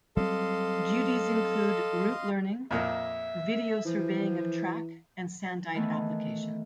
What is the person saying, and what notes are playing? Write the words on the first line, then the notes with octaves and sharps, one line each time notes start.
Duties include route learning, video surveying of track and sandite application.
F#3 G3 C4 A4 D#5 F5 C6
F2 A#2 A#3 E5
E3 F3
D#3 E3 A3 B3